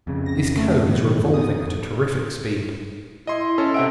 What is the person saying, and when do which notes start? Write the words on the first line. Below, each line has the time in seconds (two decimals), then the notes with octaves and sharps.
This cone is revolving at a terrific speed.
0.07 F2 C#3
0.26 A#6
0.57 A3
0.87 B2 D#3
1.17 F2
1.34 B2 D#3 D#6
3.27 E4 D#5 C6
3.58 C#4 A4
3.74 C3 E5 F#5 D7